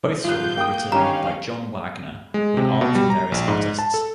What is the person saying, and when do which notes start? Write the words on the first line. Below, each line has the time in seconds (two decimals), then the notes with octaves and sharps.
Both stories were written by John Wagner with art from various artists.
0.24 D#1 F4 F#6 G6
0.57 A#3 G5 D#6
0.92 G1 D#3 C#4 G4 F5 A#5
2.34 G#3
2.57 C3
2.81 B2
2.95 G3
3.10 A#5
3.32 A#1
3.48 G#2
3.79 A5
3.94 A4